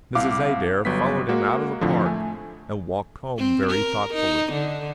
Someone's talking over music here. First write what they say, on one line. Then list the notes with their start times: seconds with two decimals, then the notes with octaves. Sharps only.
Mrs. Adair followed him out of the park, and walked home very thoughtfully.
0.15 C2 E4 F5 D6
0.85 G1 F#3 G3 B3 B6
1.29 G#3 A#3 F#4
1.81 F2 A2 D3 F3
2.06 A3 G#5
3.37 C4
3.70 A#4
4.14 D#4
4.53 D3